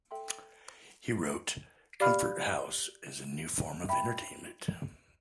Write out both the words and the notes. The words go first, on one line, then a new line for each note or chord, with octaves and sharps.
He wrote: Comfort House is a new form of entertainment.
A4 E5 G5 C6
G4 D5 F5 B5 F6
E5 G5 B5